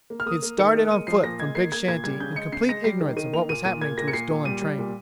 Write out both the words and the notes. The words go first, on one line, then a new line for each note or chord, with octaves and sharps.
He had started on foot from Big Shanty in complete ignorance of what was happening to his stolen train.
A#3
F6
A#3 D#6
A#3
D#3 C#7
A#3
G#3 D#7
F3 C7
A#2 A#6
G#3 G#6
A#3 C7
A#3 G#6
A#2 G#6
G3 G#6
C#3 G6
G#3 C#7
C#3 C7
G#3 A#6
G3 C7
D#3
D#3 D#7
A#3 F7
A#2 D#7
A#2 D#7
A#3 G#6
A#2 A#6
C#7
A#2 C7
A#2
G3 D#7
G3
A#2